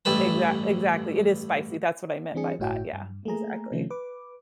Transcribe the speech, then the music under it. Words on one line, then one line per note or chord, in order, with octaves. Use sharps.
Exact exactly, it is spicy, that's what I meant by that, yeah, exactly.
A1 G2 E4 B4 A5
E3 C4 D4 G#4 C#7
G1 A2 E4 F#4 C#5 G5
G2
A3 A#3 G#4 A#5
C3 D#3 F3 A3 C#4
B4 D6